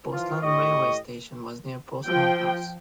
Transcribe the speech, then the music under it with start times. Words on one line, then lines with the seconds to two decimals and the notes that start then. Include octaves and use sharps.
Postland railway station was near Postland House.
0.13 E3 F3 F4
0.43 A2 G4 D#5 C#6
2.05 F3 G5